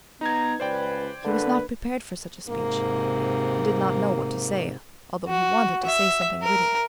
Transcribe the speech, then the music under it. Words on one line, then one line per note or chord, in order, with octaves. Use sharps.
He was not prepared for such a speech; he did not know what to say, although he wanted to say something witty.
B3 D#4 A#5 G#6
C#2 B4 C5 D5 G5
D3 A#3 D4 B4
G#2 C3 A#3
F#4
E5
A#4